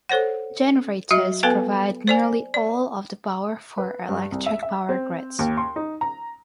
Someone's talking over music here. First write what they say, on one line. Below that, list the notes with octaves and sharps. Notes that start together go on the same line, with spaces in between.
Generators provide nearly all of the power for electric power grids.
A4 C5 C#5 F#5
F#3 F#4 D#5 E5
B3 A4 B4 F5 G5 G#5
C5 D5 G#5
D5
B4
G2
C2
E5
E5
C4
D#2
C6
D#4
A#5